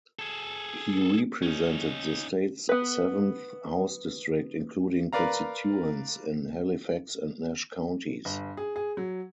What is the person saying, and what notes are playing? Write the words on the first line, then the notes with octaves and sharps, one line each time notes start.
He represented the state's seventh House district, including constituents in Halifax and Nash counties.
G#4 A4
C#4 D#4
B3 B4
A#4 B4 D5 F5 A#5
G1
G#4
G#4
F#3